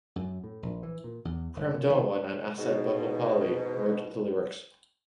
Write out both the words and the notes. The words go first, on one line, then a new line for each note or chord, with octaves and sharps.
Prem Dhawan and Asad Bhopali wrote the lyrics.
F#2
A2
A#1
E3
A#2
E2
G1
A#2
D#3
G#2 B2